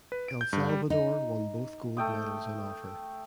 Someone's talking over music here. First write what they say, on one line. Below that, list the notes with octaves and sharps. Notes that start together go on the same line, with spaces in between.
El Salvador won both gold medals on offer.
B4
D7
G6
G2
G3
D#4
A3 G5 D#6